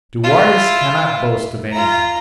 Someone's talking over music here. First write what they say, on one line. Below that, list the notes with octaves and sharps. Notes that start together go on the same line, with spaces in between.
"De Wardes cannot boast of anything."
E4 F4
F4 A#5